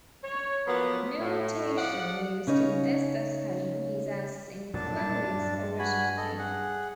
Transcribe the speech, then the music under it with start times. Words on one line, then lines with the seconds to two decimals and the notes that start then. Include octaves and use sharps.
Notation used in this discussion is as in Flannery's original paper.
0.24 C#5
0.67 F3 F#3 A#3 B3
1.20 A2
1.77 G#2 F3 D5 F#5
2.47 C#3 C#4 D#4 C#5
4.74 F2 A#2 F#3 D4 A5
4.97 A#2 G3
5.30 G2
5.79 F#4 G#5 B5
6.17 A4 D#5
6.39 G#4 F#5